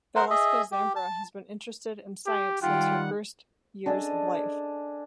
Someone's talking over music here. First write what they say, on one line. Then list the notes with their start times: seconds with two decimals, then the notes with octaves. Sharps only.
Valeska Zambra has been interested in science since her her first years of life.
0.16 A#4 C5 F#5
0.30 G#4 D#5 E5
0.72 G4
0.96 A5
2.26 G4
2.62 D#3 G3 F4 F#5 G5
3.86 D4 G#4 A4 D#5